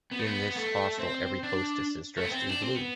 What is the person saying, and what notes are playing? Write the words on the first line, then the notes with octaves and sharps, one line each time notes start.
In this hostel every hostess is dressed in blue.
B3
A3
B3
B3
A3
C4
D4
A3
B3
C4
D4
C4
B3